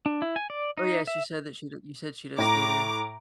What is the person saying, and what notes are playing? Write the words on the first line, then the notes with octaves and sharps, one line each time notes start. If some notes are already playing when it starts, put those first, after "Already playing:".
Oh, yes. You said that she d you said she does theater.
D4
E4
G#5
D5
D#4
E5
A2 A#5 D6 A#6